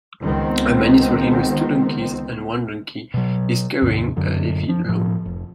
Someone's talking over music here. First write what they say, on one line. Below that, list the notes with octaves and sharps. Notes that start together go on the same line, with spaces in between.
A man is walking with two donkeys and one donkey is carrying a heavy load.
C#2 D#3 B3 C4
B2 F#3
C#2 G2 B2 D3
F#2 D3 F#3
F3
A2 F3
F1